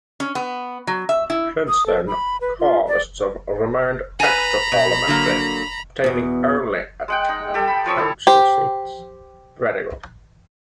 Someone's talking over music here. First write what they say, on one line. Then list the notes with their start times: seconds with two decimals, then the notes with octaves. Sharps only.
Since then, Carlists have remained extra-parliamentary, obtaining only town council seats.
0.20 C#4
0.35 B3
0.87 F#3
1.09 E5
1.30 E4
1.68 D#6
1.86 A4
2.07 B5
2.41 B4
2.59 F4
2.88 D5
4.20 B4 G#5 A#5 B5
4.72 B2
5.07 D3 F#3 A#3
6.04 E2 B2
7.08 G#3 F#5 G5
7.29 D#4
7.54 G4 A4
7.67 B5
7.86 F3 C#5 C#6 E6
7.98 E4 A4
8.27 G4 C5